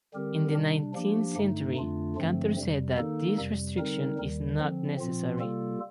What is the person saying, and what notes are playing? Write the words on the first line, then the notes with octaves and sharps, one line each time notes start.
In the nineteenth century Cantor said that this restriction is not necessary.
D3 G3 C4 G4 A#4
C3 G3 D4
F3 A#3 D4 G4
G2 D3 A3 D#4
F2 D3 A3 D4 F4
G2 D3 F3 A3 C4
F2 C3 G3
D#3 A#3 D#4 A4
F2 C3 G3
D3 G3 C4 D#4 A#4
D#2 D#3 G3
D3 F3 C4
A#2 F3 C4 F4
C3 G3 A#3 F4 A4